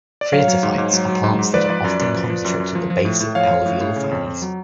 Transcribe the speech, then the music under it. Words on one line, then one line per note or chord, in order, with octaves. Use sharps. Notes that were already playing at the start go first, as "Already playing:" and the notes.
Phreatophytes are plants that are often concentrated at the base of alluvial fans.
D5
F#3 C#5 F5
F#3
G#2
G#2
F#3
F#3
G#2
G#2
F3 B4 D5
F3
F#2
F#2
F3
F3
F#2
F#2
F3
F3
A2
A2
F3 C#5 F5
F3
A2
A2
C#3
F2
F2
F#3